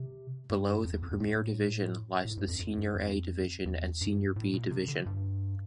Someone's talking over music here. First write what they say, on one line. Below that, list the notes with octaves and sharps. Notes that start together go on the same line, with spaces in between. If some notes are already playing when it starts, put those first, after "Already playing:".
Below the Premier Division lies the Senior A Division and Senior B Division.
Already playing: C3
G2
F2
E2
F2
G2
A2
A2
G2
F2
F2
G2
F2
E2
G2
A2
A#2
C3
D3
G2